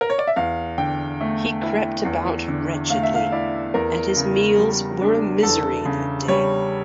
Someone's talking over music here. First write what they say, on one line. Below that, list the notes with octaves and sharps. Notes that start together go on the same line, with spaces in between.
He crept about wretchedly, and his meals were a misery that day.
A#4
C#5
D5
E5
E2 F5
D3 G5
A3
E4
E2
D3
A3 F5
E5
F5
E4 D5
E2 A#4
C#3
G3
D4
E2 A4
C#3
G3 C#5